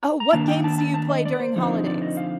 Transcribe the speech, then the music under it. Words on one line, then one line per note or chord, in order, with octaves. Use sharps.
Oh, what games do you play during holidays?
A#5
D#3 A#3 D4 A5
G5
A5
A5
A5
D#5
D5
C5
D3 F3 C4 D#4
D5
D#5
F5